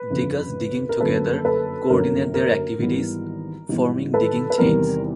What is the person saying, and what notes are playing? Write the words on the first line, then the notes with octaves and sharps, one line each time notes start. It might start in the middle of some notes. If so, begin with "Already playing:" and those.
Degus digging together coordinate their activities, forming digging chains.
Already playing: B4
G1 F2 C#3
A#4
G1 F#2 D3 F#3 A#3 A4 B4
A4 B4
G1 F#2 D3 F#3 A#3 A#4
A#4
G#1 G#2 E3 G3 B3
G#1 G#2 E3 G3 B3
A4 B4
B4
E2 C3 D#3 G3 B3 A#4